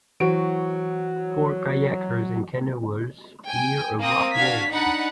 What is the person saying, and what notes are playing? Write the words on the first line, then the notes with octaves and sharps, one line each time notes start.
Four kayakers and canoers near a rock wall.
E3 F#3 F#4 C5 D7
G5 G#5
A#3 C4 D#6
D4 F#4 F5 G#6 B6
D4 D#4 F#5 B5